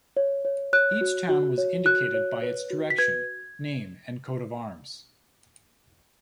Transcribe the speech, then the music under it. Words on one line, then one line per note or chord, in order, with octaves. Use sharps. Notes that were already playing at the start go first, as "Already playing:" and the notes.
Each town was indicated by its direction, name, and coat of arms.
C#5
C#5
C#5 F#6
F#4
F#4
C#5
F#4 F#6
C#5
B4
F#4
B6
B4 G#6